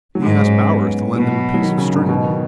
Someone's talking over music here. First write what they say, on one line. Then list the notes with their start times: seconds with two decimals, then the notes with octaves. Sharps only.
He asked Bowers to lend him a piece of string.
0.15 F#3
0.22 G#2 G#3
0.45 C#4
0.69 B3
1.15 B2 F#3
1.54 F#3
1.62 D#3
1.78 C#3
1.94 G#2
2.09 B2
2.24 D#3